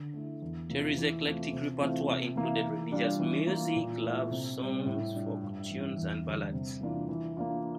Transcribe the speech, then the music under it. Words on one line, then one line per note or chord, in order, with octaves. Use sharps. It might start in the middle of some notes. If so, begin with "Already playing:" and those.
Terri's eclectic repertoire included religious music, love songs, folk tunes and ballads.
Already playing: D3
A3 E4
E2
C3 F3 A#3 E4
E3
A3 C4 F4
C3
E3 A3 C4 F4
C3
E3 A#3 E4
E3
G3 D4 F4
E3
A#3
F4
A#2
A3 E4
C3
G3 C4
A2
G3 D4 F4
G2
E3 G3
E2
D3 G3
C3
E3 A#3 D4 F4
E3
A#3 D4 F4